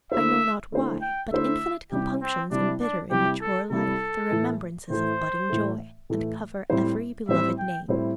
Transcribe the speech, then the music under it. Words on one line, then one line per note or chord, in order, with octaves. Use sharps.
I know not why, but infinite compunctions embitter in mature life the remembrances of budding joy and cover every beloved name.
D3 A3 E4 C5 E5
D3 A3 E4 C5
G5
D3 A3 E4 C5 E5
C3 G3 E4 G4
C4
C3 G3 D4 E4
D4
C3 G3 E4 G4
A4
C3 G3 E4 A4
A2 E3 A3
A2 E3 A3 C5
A2 E3 A3
A2 E3 A3
A2 G3 C4 E4 C5
A2 G3 C4 E4 C5 E5
G5
A2 G3 C4 E4 C5